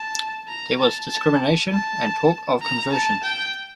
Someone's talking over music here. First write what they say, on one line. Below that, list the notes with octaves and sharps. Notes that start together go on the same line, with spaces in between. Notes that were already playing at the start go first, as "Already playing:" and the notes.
There was discrimination and talk of conversions.
Already playing: A5
A#5
A5
A5
A5
A#5
A5
G5